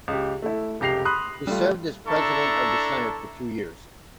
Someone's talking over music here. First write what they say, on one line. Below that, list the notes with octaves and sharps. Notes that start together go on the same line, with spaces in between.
He served as President of the Senate for two years.
C#2 G4
A3 E4
F1 C#2 G4 A#6 C7 F7
B5 C6 D#6 F#6
G3 A3 F4
D4 E4 A4 A5 A#5 C#6